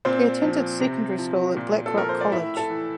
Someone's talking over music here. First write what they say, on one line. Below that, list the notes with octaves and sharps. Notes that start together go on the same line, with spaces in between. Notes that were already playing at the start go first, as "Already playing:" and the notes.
He attended secondary school at Blackrock College.
A#2 C4 C5
F3
C3
F3
A#2
A4
F3 A#4
C5
D5
A2 E4 E5
A4 A5
E3